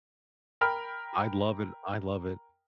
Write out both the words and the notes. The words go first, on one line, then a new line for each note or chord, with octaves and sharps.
I'd love it I love it,
A#4 G5 B5 F6